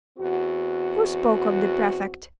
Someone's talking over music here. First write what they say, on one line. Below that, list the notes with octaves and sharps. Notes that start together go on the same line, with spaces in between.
'Who spoke of the prefect?
E2 C4 F#4